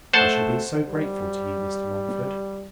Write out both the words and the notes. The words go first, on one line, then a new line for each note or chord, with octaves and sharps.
I shall be so grateful to you, Mr. Mumford.
A3 C5 F#5 A5
G3